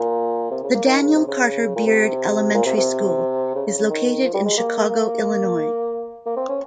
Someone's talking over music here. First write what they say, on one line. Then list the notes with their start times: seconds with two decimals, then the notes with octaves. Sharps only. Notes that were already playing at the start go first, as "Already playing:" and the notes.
The Daniel Carter Beard Elementary School is located in Chicago, Illinois.
Already playing: A#2
0.51 C3
0.63 C#3
0.74 A#3
0.86 D#3
1.03 C#3
1.15 C3
1.28 C#3
1.76 A#2
1.87 C3
2.54 A#2
2.66 C3
2.77 C3
3.55 C#3
3.67 C#3
3.78 C#3
3.90 D#3
4.24 F3
4.35 G3
4.45 G#3
4.57 A#3
4.90 A#3
6.26 A#3
6.37 C4
6.49 C#4